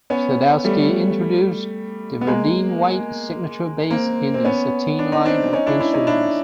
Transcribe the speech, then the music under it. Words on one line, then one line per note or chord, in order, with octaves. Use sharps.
Sadowsky introduced the Verdine White signature bass in the Satin line of instruments.
B3 C#4
G3 A3
B3
G#3 A#3
A#3 C4
C4
B3 C#4
D4
D#4
C4 D4
C#4 D#4
D4 E4
D4 E4
C#4 D#4
D4 E4